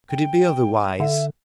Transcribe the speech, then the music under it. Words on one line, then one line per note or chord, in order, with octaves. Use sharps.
Could it be otherwise?
G5
D3 E5